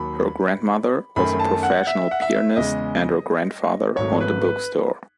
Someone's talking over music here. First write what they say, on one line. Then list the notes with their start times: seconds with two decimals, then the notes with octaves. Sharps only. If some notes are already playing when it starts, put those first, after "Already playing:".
Her grandmother was a professional pianist and her grandfather owned a bookstore.
Already playing: D#2 F#3 B5
1.16 F#2 D#3 A3 B5
1.40 A5
1.63 F#5
1.87 E5
2.11 F#5
2.22 E5
2.56 E2 C#3 G#3 D#5
3.97 G#1 G#2 F#3 A3 C#5
4.21 B4
4.45 B4